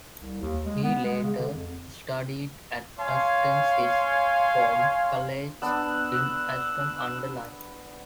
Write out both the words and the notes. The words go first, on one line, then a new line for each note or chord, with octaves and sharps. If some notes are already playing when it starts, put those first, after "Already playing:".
He later studied at Ashton Sixth Form College in Ashton-under-Lyne.
C2
D#2
G#3
B3
G#3
C#3
D3
F2
C#5 F5 G#5 C6
B3 D4 E6 F#6